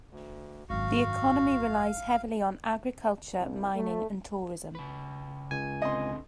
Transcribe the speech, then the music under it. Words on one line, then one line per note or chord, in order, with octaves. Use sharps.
The economy relies heavily on agriculture, mining and tourism.
D2
G#1 F#2 F#4 F5
C2
A3
C#3 B4
C#2 G#5
D3 B3 C4 D#5 C6